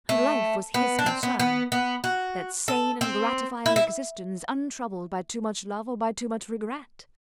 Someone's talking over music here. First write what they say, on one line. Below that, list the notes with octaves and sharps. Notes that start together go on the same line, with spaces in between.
And life was his concern: that sane and gratifying existence untroubled by too much love or by too much regret.
A3
B3
D4
C4
B3
B3
B3
F#4
A4
C4
E4
E4